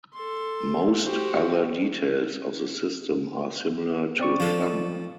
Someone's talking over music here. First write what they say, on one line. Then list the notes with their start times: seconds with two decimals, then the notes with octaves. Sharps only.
Most other details of the system are similar to Thumb.
0.14 A4 C6
1.03 F#4 G4 C5
4.19 C4 D5 C#6
4.40 F3 A4